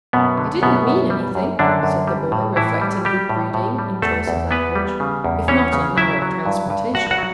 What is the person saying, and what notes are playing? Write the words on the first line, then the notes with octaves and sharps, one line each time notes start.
"I didn't mean anything," said the boy, reflecting good breeding in choice of language, if not in manner of transportation.
F#2 B2 B3
D3
F#2 B2 B3
F#2
G3
F#2
F#2 D3 D4
F#2
G3
A2
A2 E3 E4
G3
G3 G4
A2
A2
G3
E2 A3 A4
E2
E3 B3 B4
G3
C#3
E2
E3 C#4 C#5
C#3
F#3 E4 E5
F#3
G2
G2
G2 F#4 F#5
F#4 F#5
F#3